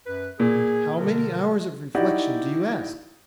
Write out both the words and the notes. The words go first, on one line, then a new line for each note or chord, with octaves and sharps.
"And how many hours of reflection do you ask?"
F#2 B4
A#2 G#4
B2 D3 A#4
D#4 E4 F#4 G4 D5